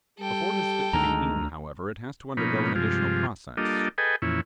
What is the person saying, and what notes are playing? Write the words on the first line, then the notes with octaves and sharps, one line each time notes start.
Before it is fit to be eaten, however, it has to undergo an additional process.
G3 G4 A4 G5
D2 D#3 F3 G#3 A#5
B2 F3 A#3 C#4 D#4 B5
G2 C3 F3 G#3 F4
G3 A#3 D4 F4 A4 D#5
G#4 A4 B4 D#5 G5 G#5
F2 A#2 E3 C#4 E4